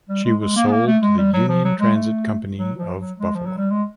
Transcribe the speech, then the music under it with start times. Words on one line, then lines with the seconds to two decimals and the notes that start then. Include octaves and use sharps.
She was sold to the Union Transit Company of Buffalo.
0.09 G3
0.24 G#3
0.41 G#3
0.56 A#3
0.66 B3
0.72 A#3
0.87 A3
1.03 G#3
1.18 G3
1.33 F#3
1.49 F3
1.65 F#3
1.80 G#3
1.96 A3
2.58 F#3
2.78 F3
2.99 F#3
3.20 G#3
3.35 F3
3.46 F#3
3.58 G3
3.70 G#3